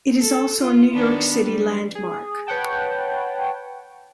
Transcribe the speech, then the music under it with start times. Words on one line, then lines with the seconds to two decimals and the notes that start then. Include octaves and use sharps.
It is also a New York City landmark.
0.20 A4
0.61 F4
0.94 D#3 B3 D4
1.43 G3 G#3
1.95 G#4
2.47 B4 C#5 F#5 G5 A5